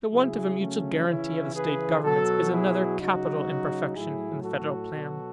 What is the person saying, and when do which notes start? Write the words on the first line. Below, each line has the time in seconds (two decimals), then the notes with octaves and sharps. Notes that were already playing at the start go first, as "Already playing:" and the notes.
The want of a mutual guaranty of the State governments is another capital imperfection in the federal plan.
0.11 C#3 F#3 E4 G#4
0.60 A3 C#4
1.07 C#3 E3 C#4 E4
1.55 G#4 B4
2.03 B2 F#3 F#4 A4
2.52 E4 G#4
2.99 C#3 F#3 D#4 F#4
3.95 A2 F#3 E4 G#4
4.43 F#4 A4
4.92 B2 F#3